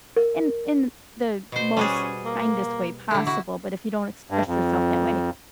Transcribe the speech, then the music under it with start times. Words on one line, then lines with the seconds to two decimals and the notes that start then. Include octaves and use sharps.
in in the most kindest way possible, but if you don't express yourself that way,
0.16 A#4
1.52 B2 C5
1.77 G3 C#4 F#4 G#4
2.25 A#3
3.11 D3 A3 E4
3.27 E4 F#4
4.30 G2
4.47 F2